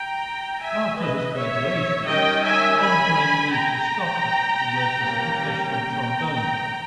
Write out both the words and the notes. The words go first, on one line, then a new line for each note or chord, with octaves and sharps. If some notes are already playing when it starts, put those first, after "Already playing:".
After his graduation, Landgren moved to Stockholm to work as a professional trombone player.
Already playing: G5 A#5
E5 G#5
B4 D#5
C#5 E5
D#3 G3 C#4 D#5 G5
E5 G#5
G#5 B5
G5 A#5
G3 A#3 C#4
G5 A#5